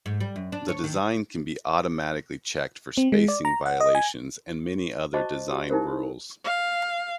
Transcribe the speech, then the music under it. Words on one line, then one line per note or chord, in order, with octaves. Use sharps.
The design can be automatically checked for spacing violations and many other design rules.
G#2
G3
F#2
D4
C#5
D#3
C4
G#3
D5
A#5
F#5
D#5
G#5
F#4 C5 D#5 A5 C#6 D6
F#4 G4 F5
D#4 E4 G4 A#4 C5
F5